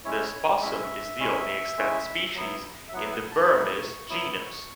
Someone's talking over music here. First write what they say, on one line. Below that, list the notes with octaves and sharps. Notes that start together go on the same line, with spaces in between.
This possum is the only extant species in the "Burramys" genus.
G#3 C#4 E4 C#5
G#3 C#4 E4 E5
G#3 C#4 E4
G#3 C#4 E4
F#3 B3 E4
E5
F#3 B3 E4 F#5
F#5
A5
B5
F#3 B3 E4 C#6
F#3 B3 E4